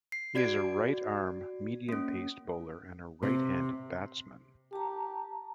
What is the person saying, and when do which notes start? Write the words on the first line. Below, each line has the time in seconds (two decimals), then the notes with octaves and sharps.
He is a right-arm medium-pace bowler and a right-handed batsman.
0.12 C7
0.35 F#4 D5 G#6 D7
1.89 A#3 C#4
3.23 C3
4.73 G4 A5 A#5